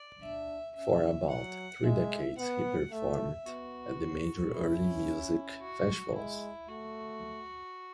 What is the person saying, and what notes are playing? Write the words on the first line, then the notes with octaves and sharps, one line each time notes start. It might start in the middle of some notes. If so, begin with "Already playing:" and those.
For about three decades he performed at the major early music festivals.
Already playing: D5
D4 E5
C#4 E5
F#3 F#5
G#3 E5
B3 F#5
A3 E5
B3 F#4
C#4 E4
F#4
G#3 E4
A3 F#4